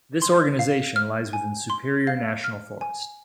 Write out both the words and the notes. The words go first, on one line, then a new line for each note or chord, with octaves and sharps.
This organization lies within Superior National Forest.
C6
F5
F6
G#5
C6
F5
F6
G#5